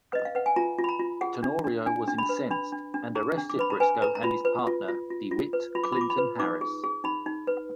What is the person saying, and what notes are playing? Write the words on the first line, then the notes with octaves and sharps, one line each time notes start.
Tenorio was incensed and arrested Briscoe and his partner DeWitt Clinton Harris.
B4 D#5
F5
B4 F#5
G#5
F4 A#5
F4
B5
A#5
F4
G#4 F#5
D4
D4
D4 G#5
D4
B5
B4
D4 B5
D4
D4
G#4 A#5
D4
D6
B4 B5
A#5
B4 G#5
B4 A#5
A#5
F4 B5
B4
F4
F4
F4
F4
B4
F4 B5
D6
B5
F4 D6
B5
B4
D#4 D6
G#4
G#4
D#4 B5
D#4
B4